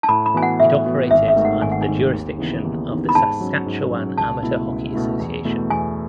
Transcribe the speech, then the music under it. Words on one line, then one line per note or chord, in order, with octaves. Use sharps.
It operated under the jurisdiction of the Saskatchewan Amateur Hockey Association.
A5
A2 B5
B5
E3 B3 F#4 G#5
F#5
A2 E5
E3 B3 F#4
G#1 E5
E5
G#2 D#3 A3
F#5
G#1 G#5
F#5
G#5
G#2 D#3 A3
D#2
C#3 E3 B3 D#4
D#2
C#3 E3 B3 D#4
B5
G#2 A5
F#3 C#4
G#2
F#3 C#4
C#2 A5
B2 A3 E4
C#2
B2 A3 E4
E2
B2 A3 E4
E2 G#5